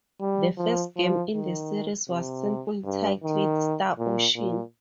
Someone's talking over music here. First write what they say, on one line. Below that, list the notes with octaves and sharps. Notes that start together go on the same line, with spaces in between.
The first game in the series was simply titled Star Ocean.
G3
F3
F3
D#3
C3
G2
D#3
A#2
A#2